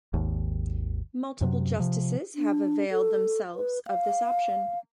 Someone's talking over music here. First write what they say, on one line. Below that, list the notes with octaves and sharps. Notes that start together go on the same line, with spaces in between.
Multiple Justices have availed themselves of this option.
G#1 D#2
F#2 C3 F#3
C3 F3
D4
A4
B4
F5